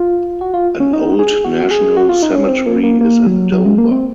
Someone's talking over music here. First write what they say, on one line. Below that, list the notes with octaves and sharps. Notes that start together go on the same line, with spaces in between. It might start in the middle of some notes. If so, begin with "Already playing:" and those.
An old national cemetery is in Dover.
Already playing: F4
F#4
F4
C#4
D#4
G#4
F#4
G#4
F#4
F4
D#4
C#4
C4
A#3
A#3
A#3
F#3
F#3
G#3
A#3
C4